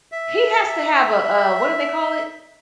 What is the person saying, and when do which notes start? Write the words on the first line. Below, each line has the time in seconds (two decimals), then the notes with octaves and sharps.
He has to have a a what do they call it?
0.12 E5
0.67 E5